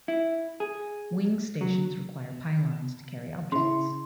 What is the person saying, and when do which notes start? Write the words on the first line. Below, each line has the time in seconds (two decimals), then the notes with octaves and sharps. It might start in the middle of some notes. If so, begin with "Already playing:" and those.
Wing stations require pylons to carry objects.
0.08 E4
0.60 G#4
1.61 F#3
3.52 C#3 E4 C6